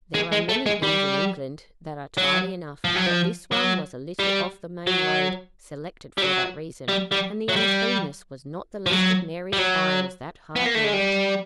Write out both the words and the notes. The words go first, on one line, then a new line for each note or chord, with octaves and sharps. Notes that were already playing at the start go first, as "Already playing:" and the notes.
There are many inns in England that are tidy enough, but this one was a little off the main road--selected for that reason--and the uncleanness was not the least of Mary's trials that hard night.
G#3
G#3
A3
G#3
G3
F#3
F3
F#3
F3
F#3
G3
F#3
G3
F#3
G3
G3
F#3
G3
F3
F#3
G3
F#3
B3
A#3
A3
G#3
G3